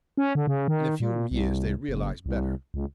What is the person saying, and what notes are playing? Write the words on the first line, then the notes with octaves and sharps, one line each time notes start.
In a few, years they realised better.
C#4
D3
C#3
D#3
A#2
C2
F#1
C2
C#2